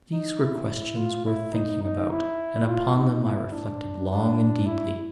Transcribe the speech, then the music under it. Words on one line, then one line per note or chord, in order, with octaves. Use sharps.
These were questions worth thinking about, and upon them I reflected long and deeply.
D#4
E4
F4
E4
D#4
D#4
E4
F4
D#4
E4
D4
D4
E4